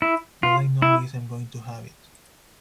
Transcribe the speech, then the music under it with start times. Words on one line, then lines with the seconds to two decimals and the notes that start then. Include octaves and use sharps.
All I know is, I'm going to have it.
0.02 E4
0.43 F4
0.82 E4